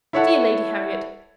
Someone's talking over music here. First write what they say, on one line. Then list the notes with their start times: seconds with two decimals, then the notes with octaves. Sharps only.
Dear Lady Harriet!
0.13 E4 A4 C#5 E5 F#5 A5